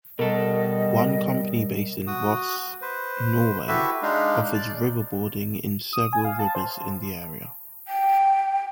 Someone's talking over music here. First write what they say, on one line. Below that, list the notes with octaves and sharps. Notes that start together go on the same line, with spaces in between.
One company based in Voss, Norway, offers riverboarding in several rivers in the area.
B2 G3 A4 A#4 D#5
F#4 D#6
B4 C5
E4 F#4 G4 A4 B4 E5
G#3 D4 D#4 F5
D5
D#6
G#5
F5
A5
C5
G5